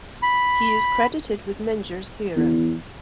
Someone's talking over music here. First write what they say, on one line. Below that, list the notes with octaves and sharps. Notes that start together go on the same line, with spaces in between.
He is credited with Menger's theorem.
B5
E2